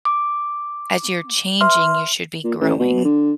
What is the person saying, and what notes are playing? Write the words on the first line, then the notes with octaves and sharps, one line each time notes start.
as you're changing, you should be growing
D6
B4 E5 C6 F6
A#2
A1
B2
D3